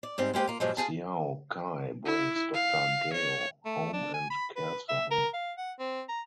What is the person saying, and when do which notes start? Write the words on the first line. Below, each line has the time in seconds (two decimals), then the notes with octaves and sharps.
Xiao Kai brings Doctor Gao home and cares for her.
0.03 D5
0.18 G#2 G3 C4
0.34 G#3 A#3 G4 B4 C5
0.48 A#3 F4
0.60 G2 A#2 F3 F#3 G#3
0.77 F4 G4 G#4 A5
2.05 E4
2.54 F5
3.13 C#5
3.65 A3
3.93 D4
4.14 G#5
4.30 B5
4.56 B4
4.89 E5
5.11 A#4
5.33 F5
5.58 F#5
5.79 C4
6.09 A#5